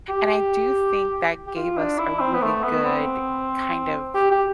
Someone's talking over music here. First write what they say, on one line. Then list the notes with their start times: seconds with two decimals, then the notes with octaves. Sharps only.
and I do think that gave us a really good kind of
0.09 G4
1.47 G4
1.55 F4
1.77 D4
1.98 E4
2.20 C4
2.34 B3
2.42 A3
2.63 B3
2.85 C4
4.14 G4
4.31 G4